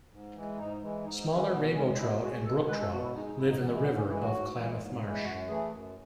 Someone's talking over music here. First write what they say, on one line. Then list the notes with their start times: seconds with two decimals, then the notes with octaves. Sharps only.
Smaller rainbow trout and brook trout live in the river above Klamath Marsh.
0.12 G#2
0.35 E3 G#3
0.58 G#2 D#4
0.82 E3 G#3
1.05 G#2 D#4
1.20 D#4
1.28 E3 G#3
1.36 C#4
1.51 B2 B3
1.74 G#3 C#4
1.98 B2 E4
2.22 G#3 F#4
2.45 B2 A4
2.68 G#3 B4
2.80 A4
2.91 B2 F#4
3.03 E4
3.15 G#3 D#4
3.26 D#4
3.37 G#2 E4
3.49 D#4
3.61 E3 G#3 B3
3.72 A3
3.84 G#2 B3
3.96 C#4
4.08 E3 E4
4.12 G#3
4.20 F#4
4.32 G#2
4.55 E3 G#3
4.78 G#2
5.02 E3 G#3
5.24 F#2 F#4
5.48 E3 A3 G#4
5.71 F#2